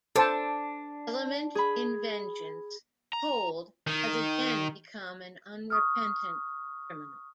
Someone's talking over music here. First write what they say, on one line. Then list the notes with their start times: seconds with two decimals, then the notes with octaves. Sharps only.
Element in vengeance, Cold has again become an unrepentant criminal.
0.16 D4 A4 C5 A5
1.55 G#4 B5
3.13 A#5
3.87 D#3
5.70 C#6 D#6 F6